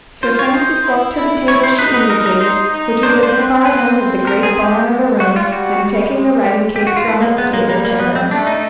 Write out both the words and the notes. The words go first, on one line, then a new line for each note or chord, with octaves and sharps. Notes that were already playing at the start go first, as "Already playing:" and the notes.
Sir Francis walked to the table she indicated, which was at the far end of the great barn of a room, and taking the writing-case from it, gave it to her.
F4 C5
C#5
D#4 C5
E4
E4
C#5
C5
D#4 B4
B4
A#4
A#4
C5
D#4
D4 C5
C5
C4 B4
C4 B4
A#4
G#4
G#3 G4
G3 F#4
F4
F#4
G3
G#3
G4
G4
F#4
F4
G#3 E4
A#3
G#3 B3
A#3
G3 A#3
A#3
B3
C4
A3 D4
D#4